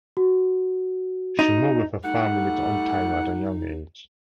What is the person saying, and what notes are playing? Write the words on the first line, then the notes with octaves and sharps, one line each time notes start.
She moved with her family to Ontario at a young age.
F#4
D#4
G3 A3 D#4 F#5